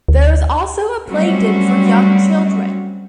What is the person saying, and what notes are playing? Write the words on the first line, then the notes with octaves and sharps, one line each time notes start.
There is also a playden for young children.
D2
F#3 G3 A3 C4 C#4 F#4